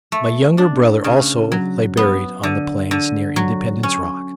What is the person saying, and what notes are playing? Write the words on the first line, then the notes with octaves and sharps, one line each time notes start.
My younger brother also lay buried on the Plains, near Independence Rock.
A3
D4
C#3
F#3
B3
D3
D3
F#3
C#4